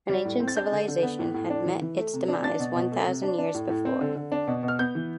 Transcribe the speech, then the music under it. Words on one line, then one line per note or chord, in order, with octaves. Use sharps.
An ancient civilization had met its demise one thousand years before.
G3
A2
C4
A6
D4 G6
D3
D3
B3
A2
A2
D4
E3
E3
A3
C3
D4
D4 A6
B2
B2
A3
C3
D4
D4
A2
A2
C4
D3
D3
D4
B2
B2
F6
B3 G6
E3